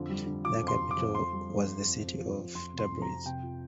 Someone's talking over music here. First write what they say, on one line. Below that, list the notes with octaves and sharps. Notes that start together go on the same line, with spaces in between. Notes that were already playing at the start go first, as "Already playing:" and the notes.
Their capital was the city of Tabriz.
Already playing: F2 D3 F3
G3
D3
F3 D6
F2
C6
F2
D6
F2
F2 C6
G3
F2
F2
F2
F2
F3
F2
F2 C6
C3
C6
F2
A#5
F2
C3 G5
F3